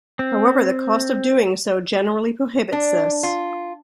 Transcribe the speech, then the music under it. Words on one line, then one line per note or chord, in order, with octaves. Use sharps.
However, the cost of doing so generally prohibits this.
C4
D4
F4